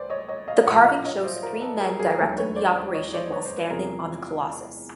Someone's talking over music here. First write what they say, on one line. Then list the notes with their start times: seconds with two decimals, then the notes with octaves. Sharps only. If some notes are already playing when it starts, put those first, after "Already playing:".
The carving shows three men directing the operation while standing on the Colossus.
Already playing: D2 B4 C5 D5
0.10 C#5 D#5
0.29 C#5 D#5
0.48 D#5 F5
0.66 A#1 A2 F3 G#3 E5 F#5
0.86 D#5 F5
1.05 C#5 D#5
1.24 C5 D5
1.43 A#4 C5
1.61 A4 B4
1.80 G#4 A#4
1.99 G#4 A#4
2.18 E1 D#2 D3 F#3 A4 B4
2.37 B4 C#5
2.56 C5 D5
2.75 C5 D5
2.94 C#5 D#5
3.13 C5 D5
3.32 B4 C#5
3.45 C5
3.57 B4
3.70 E2 C3 F3 G#4 A#4